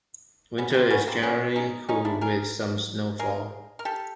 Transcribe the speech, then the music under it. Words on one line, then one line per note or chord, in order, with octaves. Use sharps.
Winter is generally cool with some snowfall.
B3 C#4
B3
A#3 C4
B3 C#4
A#3 C4
B3 C#4
C#4 D#4
C#4 D#4
D4 E4
G#4 A#4
G#4 A#4
A#4
G4 A4